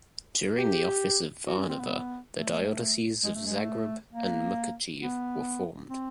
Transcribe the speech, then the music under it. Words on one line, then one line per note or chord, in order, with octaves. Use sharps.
During the office of Varnava, the dioceses of Zagreb and Mukacheve were formed.
G4
F#4
C#4
C4
B3
A3
G#3
A3
G#3
A3
A#3
B3
C4